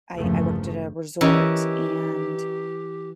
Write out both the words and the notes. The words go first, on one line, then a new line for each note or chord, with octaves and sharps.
I I worked at a resort, and
G1 E2 C#3 F3 A3 A#3
E3 C#4 G4 A#4 D#5